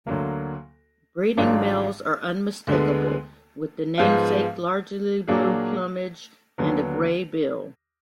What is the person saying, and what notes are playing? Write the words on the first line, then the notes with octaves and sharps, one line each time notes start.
Breeding males are unmistakable, with the namesake largely blue plumage and a grey bill.
D2 D3 F#3 A#3
G#1 G#2 F#3 D4 F4
D2 D3 G#3 B3
G#2 F3 G#3 B3 F4
A#2 F#3 A#3 D4 G#4
D#2 D3 F#3 B3